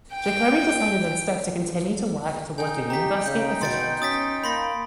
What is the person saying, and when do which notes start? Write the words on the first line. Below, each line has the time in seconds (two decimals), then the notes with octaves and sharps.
Jacobi decided instead to continue to work towards a University position.
0.13 G5
2.58 D#4 G5 G#5
2.90 G4 A#5 B6
3.26 C#3 G6
3.61 B2 C6 A6 D7
4.02 C#4 D#6 A6 B6
4.44 A#3 B5 C6 A#6